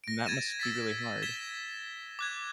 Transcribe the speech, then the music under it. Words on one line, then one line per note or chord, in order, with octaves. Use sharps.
and that must be really hard.
A#6 D7
G#6 A6 D#7 E7
E6 A6 B6
B6
G#6 B6 E7 G7
D6 F#6 G#6